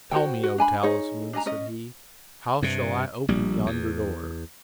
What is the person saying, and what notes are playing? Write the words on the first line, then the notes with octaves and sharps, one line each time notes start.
"Tell me, O Talisman," said he, "how shall I open yonder door?"
F#4 C5 C#5 G5
F#4
D4 G#5 B5
D#4 G#4 C#5
D4 D#5 G#5 A#5
C#4 D#5
G2 C3
A#1 G3
E2